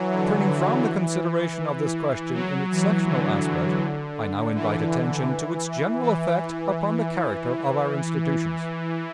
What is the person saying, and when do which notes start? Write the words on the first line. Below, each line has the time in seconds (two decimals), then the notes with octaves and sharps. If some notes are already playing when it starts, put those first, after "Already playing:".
Turning from the consideration of this question in its sectional aspect, I now invite attention to its general effect upon the character of our institutions.
Already playing: E3 F#3
0.12 D3
0.49 E3
2.34 F#3
2.71 E3
3.08 D3
4.55 E3
6.03 E3